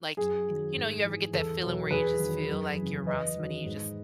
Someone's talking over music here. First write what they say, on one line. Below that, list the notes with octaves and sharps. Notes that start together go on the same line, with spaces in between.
like y you know, you ever get that feeling where you just feel like you're around somebody and you just
F#2 G#4
D#3 F#3
G#2
E3
E2 A4
B2 F#3
E2 G#4 B4
D#3 F#3
F#2
E3
C#3
E2 B4 D#5
D#3 F#3
G#2